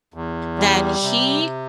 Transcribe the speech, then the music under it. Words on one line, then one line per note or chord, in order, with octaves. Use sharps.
that he,
E2
G3
C3